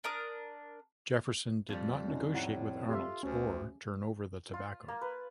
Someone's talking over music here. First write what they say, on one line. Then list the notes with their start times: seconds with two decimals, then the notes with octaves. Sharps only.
Jefferson did not negotiate with Arnolds or turn over the tobacco.
0.04 D4 A#4 A#5 D#6
1.69 F2 C3 G3
2.08 C#4 D#4
2.34 A2 E4 F#5 A#5
2.89 F4 G4 A4 E5
3.23 D2 C#4
4.54 F4
4.88 A#3
5.01 B4